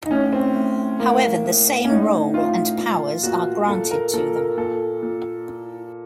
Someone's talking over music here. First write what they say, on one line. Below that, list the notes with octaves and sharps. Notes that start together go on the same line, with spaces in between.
However, the same role and powers are granted to them.
D#4
A2 C#4
C4
A2
A2 A#3
A2
C#4
A2 D#4
A2 F4
A#2
A#2 F#4
A#2 A4
A#4
A#2 A4
A#4
A#2 A4
A#2